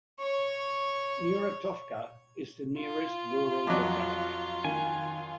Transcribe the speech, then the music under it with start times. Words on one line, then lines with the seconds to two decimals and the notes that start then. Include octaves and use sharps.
Muratovka is the nearest rural locality.
0.21 C#5 C#6
2.79 F4
3.67 F2 F#3 D5 D#5 D6
4.65 D#3 G#5